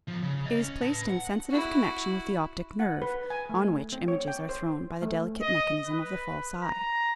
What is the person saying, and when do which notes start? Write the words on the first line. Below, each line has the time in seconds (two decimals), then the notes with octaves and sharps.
It is placed in sensitive connection with the optic nerve, on which images are thrown by the delicate mechanism of the false eye.
0.08 E2 F3
0.23 C#3
0.46 C#5 D#5
0.59 C#4
0.81 B4 A5
1.10 F#5
1.50 E4 F#4
2.80 F#5
3.02 B4
3.30 G#5
3.49 A3
3.92 C4
4.08 C#5
4.28 G5
4.49 C5
5.02 A3
5.42 D#5
5.85 B4
6.62 A#5